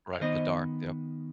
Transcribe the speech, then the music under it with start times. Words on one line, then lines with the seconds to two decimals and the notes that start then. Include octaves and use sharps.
Right, the Daughter Yup.
0.13 F5
0.21 D#3 B3 D#4 C5 D#5